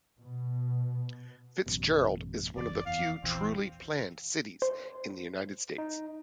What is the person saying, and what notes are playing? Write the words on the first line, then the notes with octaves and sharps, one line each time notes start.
Fitzgerald is one of the few truly planned cities in the United States.
B2
A1 F#2 B2
F#1 E2 D5
E2 F5
A#1 E2 E3 C4
C5
D#4